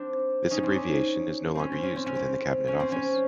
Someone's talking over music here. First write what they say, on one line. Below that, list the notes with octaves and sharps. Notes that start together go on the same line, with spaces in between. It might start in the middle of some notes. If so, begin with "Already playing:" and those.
This abbreviation is no longer used within the Cabinet Office.
Already playing: C4 D4
C#4 D#4
C4 D4
C#4
C4 C#4
C4
C#4
C4
C#4
C4
C#4
C4
C#4